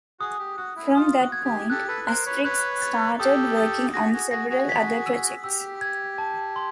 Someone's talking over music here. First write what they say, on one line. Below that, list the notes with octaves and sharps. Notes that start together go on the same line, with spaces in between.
From that point, Astrix started working on several other projects.
F#4 G#4 D#6
G4
F#4 D#6
E4
F4 D#6
F#4
G#6
G4
G4 A4 F#6
A4 B4
A#4 C5 F#6
B4 C#5
B4 C#5 F#6
A6
G4 A4 D#6
D#6
F#4 G#4 A#6
F#4 G#4
F#4 G#4 A#6
F#4 G#4
B6
E6
G4 E6
G#6
A5
C6